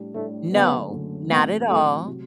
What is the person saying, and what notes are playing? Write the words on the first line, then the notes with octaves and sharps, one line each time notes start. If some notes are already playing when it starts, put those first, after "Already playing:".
No, not at all.
Already playing: A2 G3 D4
A2 G3 A3 D4
F#1 F#2 D3 A3 B3
F#1 F#2 D3 A3
A1 A2 F#3 B3 C4
A1 A2 F#3 A3 C4
C3 F#3